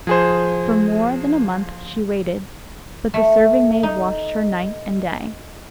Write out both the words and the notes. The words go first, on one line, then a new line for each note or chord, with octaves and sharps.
For more than a month she waited; but the serving-maid watched her night and day.
F3 G#4 C5
A3
D#4